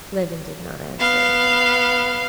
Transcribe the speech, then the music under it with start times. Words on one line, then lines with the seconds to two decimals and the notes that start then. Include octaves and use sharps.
Levin did not answer.
0.99 B3 F5